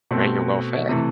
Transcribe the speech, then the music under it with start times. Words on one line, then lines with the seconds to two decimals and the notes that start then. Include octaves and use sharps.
right? You're well fed.
0.11 B2 A3 C4
0.89 C3 E3 A3